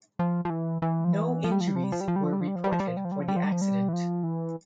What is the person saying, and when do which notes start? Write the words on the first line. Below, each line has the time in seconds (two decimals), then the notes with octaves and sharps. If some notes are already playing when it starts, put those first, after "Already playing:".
No injuries were reported for the accident.
0.19 F3
0.45 F3
0.50 E3
0.82 E3
1.04 F3
1.13 E3
1.44 F3
1.52 G3
1.61 F3
1.67 G3
1.76 F3
1.84 G3
1.92 F3
2.01 G3
2.08 F3
2.16 G3
2.24 F3
2.33 G3
2.41 F3
2.48 G3
2.56 F3
2.64 G3
2.72 F3
2.80 G3
2.88 F3
2.97 G3
3.05 F3
3.12 G3
3.20 F3
3.28 G3
3.36 F3
3.44 G3
3.52 F3
3.61 G3
3.88 E3
3.93 F3
4.23 E3